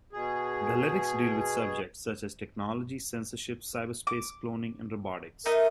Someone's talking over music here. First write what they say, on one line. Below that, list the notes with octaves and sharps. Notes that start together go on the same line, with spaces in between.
The lyrics deal with subjects such as technology, censorship, cyberspace, cloning and robotics.
B2 G#4
D6
A3 D#4 A#4 D#5